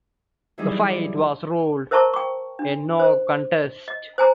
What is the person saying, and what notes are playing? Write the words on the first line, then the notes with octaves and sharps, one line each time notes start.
The fight was ruled a no contest.
E3 F#3 G3 D#4 E4 G#4
D5
A#4 C5 E5 A5 A#5 C#6
G5 C#6
D4
C5
D#5
C5 G#5 A#5